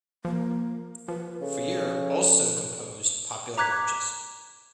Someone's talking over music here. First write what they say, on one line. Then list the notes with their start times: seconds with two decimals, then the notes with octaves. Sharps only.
Freire also composed popular marches.
0.25 F3 A#3
1.08 F3 B4
1.41 C#3 A4
3.57 A#5 D6 F#6 G#6 B6